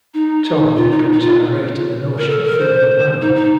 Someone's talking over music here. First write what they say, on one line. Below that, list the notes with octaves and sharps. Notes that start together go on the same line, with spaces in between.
Tom becomes irate at the notion, feeling abandoned.
D#4
F4
D#4
D#4
F4
A#4
A4
A#4
C5
D#4
D#4